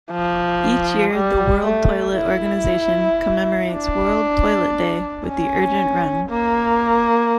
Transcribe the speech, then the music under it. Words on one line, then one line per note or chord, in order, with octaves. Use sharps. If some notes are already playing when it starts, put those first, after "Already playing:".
Each year, the World Toilet Organization commemorates World Toilet Day with the "Urgent Run".
F3
G3
A3
E4
D4
C#4
A#3